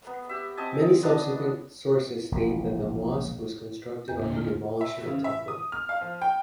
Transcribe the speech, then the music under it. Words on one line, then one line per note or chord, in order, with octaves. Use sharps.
Many subsequent sources state that the mosque was constructed after demolishing a temple.
B3
G4 E5
C4 D#5 G#5 A5
B3 D4 D#5
E1 A#1 C#3
E2 G6
A#2 D3
A3 F4 F6
E5
C#3
E5
D#6
F6
F5
F3
G5